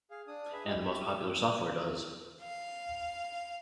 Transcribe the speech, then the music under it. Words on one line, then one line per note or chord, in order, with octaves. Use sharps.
And the most popular software does.
G#4 F5
D4 D#6
G#4 B4 E5
D#4 F4 G4 G#4 D#5
G4 E5
A4
F5